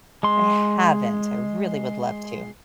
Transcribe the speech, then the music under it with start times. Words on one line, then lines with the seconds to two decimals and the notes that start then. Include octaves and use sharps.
I haven't. I really would love to.
0.23 G#3 C6